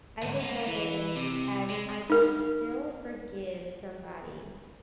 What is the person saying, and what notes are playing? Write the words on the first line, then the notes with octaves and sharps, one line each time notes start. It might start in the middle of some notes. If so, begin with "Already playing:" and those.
I look at is as I can still forgive somebody
D2 G#2
A#3 B3
E3
C3
G#3
D#4 A#4